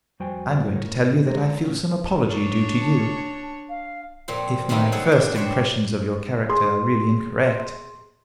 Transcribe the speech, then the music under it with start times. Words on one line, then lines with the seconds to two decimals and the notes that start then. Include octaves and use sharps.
I am going to tell you that I feel some apology due to you, if my first impressions of your character are really incorrect.
0.20 F2 G3 F#4 C5 G5 G#5
0.72 A2 E4 A#4 C#5
1.23 C#3 E3 G#3 A4 A#4
1.64 A2 C#4
2.29 D4 C#5
2.81 A5
3.69 F5
4.28 F2 A#2 C4
4.69 B2 D#3 G3 B3 C4 D#4
4.92 F#3 G#3 G#4 A4 F#5
5.12 D4
5.35 D4 G4 C5 C#5 B5
6.49 G#4 C6